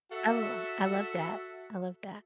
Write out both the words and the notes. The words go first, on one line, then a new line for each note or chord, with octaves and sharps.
I l I love that, I love that.
F#4 A4 E5